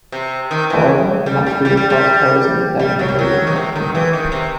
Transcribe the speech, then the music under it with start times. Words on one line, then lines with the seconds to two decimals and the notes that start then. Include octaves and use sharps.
However, a much reinforced Harrison led an invasion of Canada.
0.12 C3
0.51 D#3
0.70 E3
1.26 G3
1.46 G3
1.65 G3
1.77 G3
1.90 G3
2.79 G3
2.99 F#3
3.08 G3
3.19 F#3
3.47 D#3
3.56 C3
3.76 D#3
3.95 E3
4.13 D#3
4.32 C3